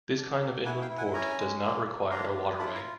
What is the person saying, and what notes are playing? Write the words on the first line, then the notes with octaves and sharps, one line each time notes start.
This kind of inland port does not require a waterway.
D4
A#3
E4 F#5 G#5
F5 G5
E4
F#5 G#5
C#4 G#5 A#5
G#3
A#3
A#3
D4 A#5 C6
F4
E4 A5 B5
A#5 C6